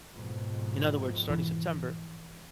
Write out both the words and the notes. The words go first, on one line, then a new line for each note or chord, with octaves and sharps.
in other words, starting September,
F2 G#2 B2
E3